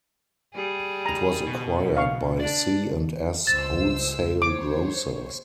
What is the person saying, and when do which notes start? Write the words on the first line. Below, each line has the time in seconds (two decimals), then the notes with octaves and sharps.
It was acquired by C and S Wholesale Grocers.
0.54 G3 G#4
1.06 A#5
1.47 B2
1.97 F5 C#6
2.40 D4 D5
3.47 C#2 C5 E6 A6
4.42 C5 C#5 D6